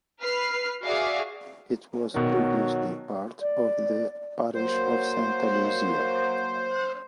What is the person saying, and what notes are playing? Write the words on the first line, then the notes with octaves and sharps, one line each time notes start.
It was previously part of the parish of Santa Luzia.
B4 F6 C7
F#4 G#4 D5 E5 F5
B2 D#3 F#3
D5
F#3 A#3 C5